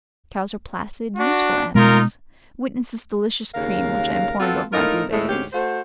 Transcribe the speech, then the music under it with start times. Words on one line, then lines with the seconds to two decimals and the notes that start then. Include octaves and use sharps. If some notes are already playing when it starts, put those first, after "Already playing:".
Cows are placid, useful animals--witness this delicious cream which I am pouring over my blueberries.
1.16 D4 F#4
1.75 B2 G#3 D#4 F4 A#4
3.55 D#2 C#3 A#4 F5
4.40 B3 C4 F4 F#4 A4
4.73 A2 D#4 F4 A#4
5.11 A2 G#3 A3
5.29 D2 G#2 C#4 G4
5.53 A3 F#4 C5